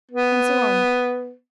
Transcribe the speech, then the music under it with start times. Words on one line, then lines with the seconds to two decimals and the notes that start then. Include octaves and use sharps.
And so on.
0.11 B3